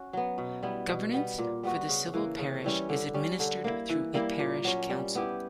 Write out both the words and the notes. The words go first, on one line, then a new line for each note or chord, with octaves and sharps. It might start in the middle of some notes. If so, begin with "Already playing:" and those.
Governance for the civil parish is administered through a parish council.
Already playing: C#4 F#4
F#3 B3
B2
G3 B3 E4
B2
G3 B3
A#2
G3 B3 F#4
C#3
E3 A#3
C#3
E3 G3 C#4
D3
G3 C#4
D3
A#3 E4
E3
G3 A#3 E4
A#2
F#3 C#4
G3
B3 E4 G4